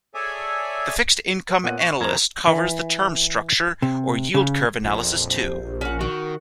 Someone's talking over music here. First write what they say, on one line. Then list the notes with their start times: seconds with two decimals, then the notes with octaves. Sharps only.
The Fixed Income Analyst covers the term structure or yield curve analysis too.
0.14 G#4 A4 C#5 D5 E5 G#5
1.64 A#2 B3 C#5 F#5 F#6 D#7
1.81 C#6 C#7
2.00 F2 A#4 A#5 G#6 E7
2.47 E3
3.82 C3
4.34 C#3
4.84 A#1 F2
5.31 G4 C5
5.81 C#4 A#4 F#5
6.01 D#3 F#4